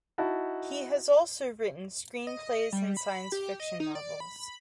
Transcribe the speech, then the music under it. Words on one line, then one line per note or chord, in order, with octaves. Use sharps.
He has also written screenplays and science-fiction novels.
D#4 E4 F#4 A5
D#5
G3
B5
B5
G4
D#5
D#4
D5
B5